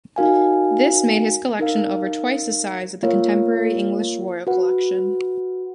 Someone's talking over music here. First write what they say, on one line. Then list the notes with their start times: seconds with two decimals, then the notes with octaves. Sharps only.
This made his collection over twice the size of the contemporary English Royal collection.
0.16 D#4 F#4 A#4 F5 G#5
1.59 D#4 A#4 F5
3.03 A#3 F4 A#4 C#5 F5
4.47 F#4 B4 F#5